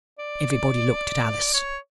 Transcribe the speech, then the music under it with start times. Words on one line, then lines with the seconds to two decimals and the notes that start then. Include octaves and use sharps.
Everybody looked at Alice.
0.19 D5
1.54 C#5